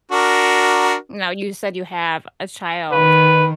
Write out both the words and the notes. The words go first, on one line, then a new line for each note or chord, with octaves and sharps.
Now, you said you have a child.
D4 F#4 A#4
D#3 B4